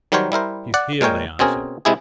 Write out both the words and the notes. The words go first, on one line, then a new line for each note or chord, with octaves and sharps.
"He's here," they answered.
D#3 F#3 G3 A#4 C5 C#5
G3 E4 A#4 C5
D5 F#5
A#2 G#3 A#4 C#5 G5
B2 C4 C#4 G#4 A#4
C3 G#3 E4 G#4